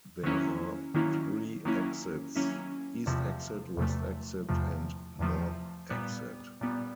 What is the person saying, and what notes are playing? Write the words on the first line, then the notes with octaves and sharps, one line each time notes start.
There are three exits: East exit, West exit, and North exit.
D#3 F#3 A#3 C#4 E4
D#3 F#3 A#3 C#4 E4
D#3 F#3 A#3 C#4 E4
D#3 F#3 A#3 C#4 E4
E2 C3 F3 A3
E2 C3 F3 A3
E2 C3 F3 A3
E2 C3 F3 A3
A#2 G3 B3
A#2 G3 B3